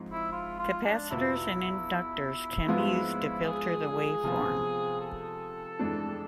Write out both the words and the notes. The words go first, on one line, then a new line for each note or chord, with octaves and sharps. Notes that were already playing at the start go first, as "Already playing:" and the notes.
Capacitors and inductors can be used to filter the waveform.
Already playing: G#2 F3 G#3 C4
E4
F4
F4
D4
E2 B2 B3 E4 F4
G#2 F3 G#3 B3 F4
G#4
C3 F3 B3 F4
A4
F2 E3 G#3 D4